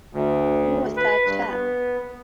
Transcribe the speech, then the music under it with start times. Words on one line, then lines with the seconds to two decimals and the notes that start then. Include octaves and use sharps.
Who was that chap?
0.13 D2
0.97 B4
1.25 G2
1.48 B3